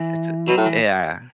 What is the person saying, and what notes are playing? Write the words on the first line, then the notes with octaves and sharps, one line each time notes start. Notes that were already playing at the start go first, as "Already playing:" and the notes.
It's a yeah, yeah.
Already playing: E3
B2 F#3
A2
E3